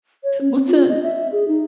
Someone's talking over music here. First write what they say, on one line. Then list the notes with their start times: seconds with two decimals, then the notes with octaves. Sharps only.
what's a
0.24 C#5
0.41 C#4
0.53 C4
0.68 F4
0.89 D#5
1.03 E5
1.32 G#4
1.48 D#4